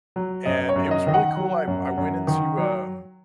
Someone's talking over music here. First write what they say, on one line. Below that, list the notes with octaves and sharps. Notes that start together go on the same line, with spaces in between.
and, it was really cool, I I went into, um,
F#3
F#2 D#5
C#5
F#2
D#5
D#3 D#5
F#5
F#3
F#2
F#2
D#3
F#3